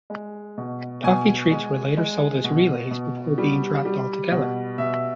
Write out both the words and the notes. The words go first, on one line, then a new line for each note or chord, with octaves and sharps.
Toffee Treets were later sold as Relays, before being dropped altogether.
G#3
B2
B2 G#5
G#3
G#3
B2
B2
G3
G3
B2
B2 E5